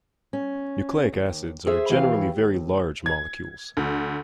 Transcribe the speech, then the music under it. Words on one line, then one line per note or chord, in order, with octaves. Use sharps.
Nucleic acids are generally very large molecules.
C#4
D#2
G#4 C5 E5
D#2 E3 F#4 G4 B4 F5
D#2
G#6
D2